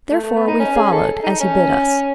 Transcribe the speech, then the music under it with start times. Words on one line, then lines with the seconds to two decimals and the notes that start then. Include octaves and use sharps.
Therefore, we followed, as he bid us.
0.11 A3
0.23 A3
0.35 B3
0.47 D#4
0.60 C#4
0.76 G#4
0.92 A4
1.24 D#4
1.40 C#4